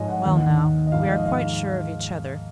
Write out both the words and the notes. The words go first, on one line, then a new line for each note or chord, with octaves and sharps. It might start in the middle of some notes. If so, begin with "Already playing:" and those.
'Well now, we are quite sure of each other.
Already playing: G#2 F3 C#5 D#5 G#5
F#5
D#2 D#3 F#5
D#5
G#2 F3 F5
D#5
F5